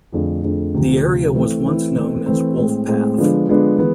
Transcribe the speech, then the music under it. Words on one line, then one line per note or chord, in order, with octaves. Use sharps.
The area was once known as "Wolfpath".
F2 D3 A3 D4 G#4
F2 D3 A3 D4 G#4
D2 C3 F3
D2 C3 F3
E3 A3 C4 E4
E3 A3 C4 E4
E3 A3 C4
E3 A3 C4
A2 G#3 C4
A2 G#3 C4
D3 F3 G#3 B3 D4
D3 F3 G#3 B3 D4
E3 G#3 B3